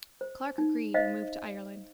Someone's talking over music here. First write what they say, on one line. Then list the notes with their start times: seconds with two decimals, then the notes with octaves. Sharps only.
Clarke agreed and moved to Ireland.
0.21 C5
0.58 D#4
0.94 C5 D#5 F5